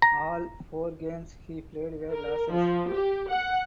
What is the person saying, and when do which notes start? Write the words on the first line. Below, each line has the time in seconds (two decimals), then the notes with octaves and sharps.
All four games he played were losses.
0.02 A#5
2.11 A#4
2.53 F3
2.90 G4
3.30 F#5